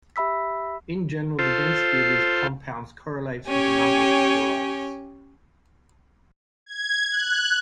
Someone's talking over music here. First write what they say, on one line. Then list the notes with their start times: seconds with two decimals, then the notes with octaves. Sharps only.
In general the density of these compounds correlates with the number of chlorides.
0.16 G4 E5 B5 E6 B6
1.39 F4 A4 C5
3.48 C#4 G4 C#5 G5 G#5
6.66 G#6
7.11 F#6